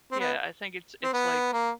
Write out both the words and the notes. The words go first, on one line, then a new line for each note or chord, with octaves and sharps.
Yeah, I think it's it's like,
C4
B3
C4
B3
A#3